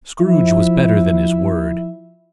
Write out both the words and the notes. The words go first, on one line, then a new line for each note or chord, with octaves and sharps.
Scrooge was better than his word.
F3 E4 E5